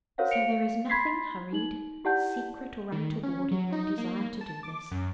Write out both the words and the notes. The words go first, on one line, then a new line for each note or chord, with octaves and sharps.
So there is nothing hurried, secret, or untoward in my desire to do this.
F#4 A#4 C5 C#5 F5 F#5
F5 C#7 D7 F7
B5 C6 G#6 A6 B6 C7
D#4 F#7
E4 G4 D5 F#5 A5 G6
D#3
C#4
F#3
D#4
A#3
A5
D6
F#2